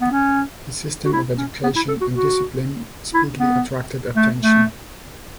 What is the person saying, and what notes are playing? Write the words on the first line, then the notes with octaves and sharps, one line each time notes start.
His system of education and discipline speedily attracted attention.
B3
C#4
F#4
E4
C#4
B3
E4
A4
F#4
F#4
E4
B3
A3
A3